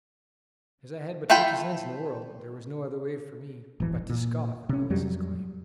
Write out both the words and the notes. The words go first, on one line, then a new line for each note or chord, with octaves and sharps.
As I had but fifty cents in the world, there was no other way for me but to scoff at Willis's claim.
E4 F4 A4 G5 B5
D1 G1 E3
A#2
C3 C#4
F2 F#3 G3